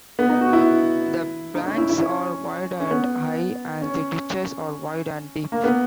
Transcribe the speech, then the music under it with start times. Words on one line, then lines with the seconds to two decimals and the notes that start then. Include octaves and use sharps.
The banks are wide and high, and the ditches are wide and deep.
0.19 B3
0.29 D#4
0.41 F#4
0.53 E4
1.55 D#4
1.66 C#4
1.78 E4
1.89 E4
2.01 C#4
2.80 C#4
2.91 B3
3.81 C#4
5.52 A#3
5.64 B3